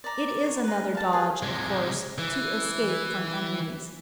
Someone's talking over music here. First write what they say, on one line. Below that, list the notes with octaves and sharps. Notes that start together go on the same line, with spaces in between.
It is another dodge, of course, to escape from enemies.
D5 A#5
C#5
B4 A#5
F5 A5
G#4 B4
C3 G#3
E3